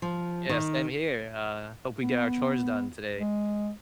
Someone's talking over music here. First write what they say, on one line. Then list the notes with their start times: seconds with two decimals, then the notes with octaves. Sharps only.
Yeah, same here, uh, hope we get our chores done today.
0.02 F3
0.49 D#3
2.02 B3
3.16 G#3